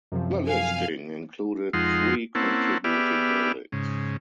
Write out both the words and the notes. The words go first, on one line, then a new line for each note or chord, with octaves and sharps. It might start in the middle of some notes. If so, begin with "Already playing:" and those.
The listing included three contributing buildings.
F#2 C3 F3
F5 G#5
F2 G#3 D#4 F4 F#5 C6
A#3 C4 C#4 E4 F#5 A5
B3 G4 G#4 D5 E5 F6
G#2 C#3